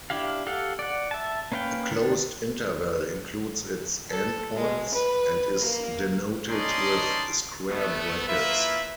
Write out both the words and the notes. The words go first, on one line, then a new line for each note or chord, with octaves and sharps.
A closed interval includes its endpoints, and is denoted with square brackets.
D4 E4 G4 F5
G4 A4 F5 F#5
D5 F#5
E5 A5
A#3 C#4 B4 F5 G5
D#3 D4
A4
G#3
B4
A#3
C#4 D#4 D5 D#5 A5 C6
A3 B3
A#3 E4 F4 B4 E5